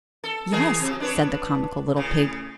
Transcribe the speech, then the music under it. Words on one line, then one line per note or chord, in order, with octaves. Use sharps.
"Yes," said the comical little pig.
A4
E3 G#4 A#4
C3 F#3
D4 B4 C#5
A2 C#3